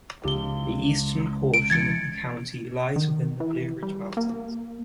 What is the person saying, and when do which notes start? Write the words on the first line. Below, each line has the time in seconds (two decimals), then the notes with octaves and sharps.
The eastern portion of the county lies within the Blue Ridge Mountains.
0.24 C#2 G4 G7
1.54 D7
1.70 E3 G#6 A6 C#7
2.96 D#3
3.40 E3
3.83 G3
4.17 A#3